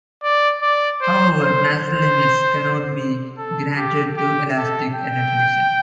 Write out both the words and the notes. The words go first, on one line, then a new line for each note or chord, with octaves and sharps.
However, "natural limits" cannot be granted too elastic a definition.
D5
D5
C5
C5
C5
A4
G4
G4
A4
G5